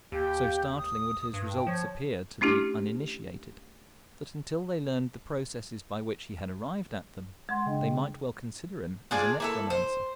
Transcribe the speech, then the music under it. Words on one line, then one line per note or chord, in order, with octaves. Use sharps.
So startling would his results appear to the uninitiated that until they learned the processes by which he had arrived at them they might well consider him as a necromancer.
D#2 G4
D#6
G2
G5
F3 C#5
A3 C#4 D4 E4 G4
G#3 F#5 C6
C#3 D4 D#5 G5
D4 F4 G#4 D5
A#3 E4 A4
C5